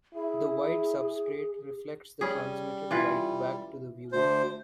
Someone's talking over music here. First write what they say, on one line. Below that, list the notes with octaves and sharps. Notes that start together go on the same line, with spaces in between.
The white substrate reflects the transmitted light back to the viewer.
E4 G#4
G3 C#4 G#4
E3 F4 B4
D2 C5